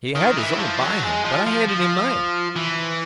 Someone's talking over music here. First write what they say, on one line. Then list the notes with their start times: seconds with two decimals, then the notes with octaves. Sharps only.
He had his own by him, but I handed him mine.
0.15 D#3
0.37 E3
0.59 F3
0.81 F#3
1.03 G#3
1.24 F3
1.46 F3
1.69 F3
2.56 E3